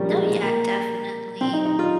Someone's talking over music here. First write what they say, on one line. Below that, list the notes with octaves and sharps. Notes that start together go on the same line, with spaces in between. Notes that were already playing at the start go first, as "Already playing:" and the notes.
No, yeah, definitely.
Already playing: F3 G3 A#3 C#4
G#3
G#3
A#3
C4
D#4
D#4
F4